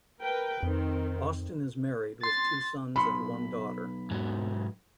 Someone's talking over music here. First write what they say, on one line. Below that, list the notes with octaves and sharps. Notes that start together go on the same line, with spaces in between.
Austin is married with two sons and one daughter.
A#4 B4 G5
F2 D#3 C4
C6 A6
B1 B5 C6
G#2 F#3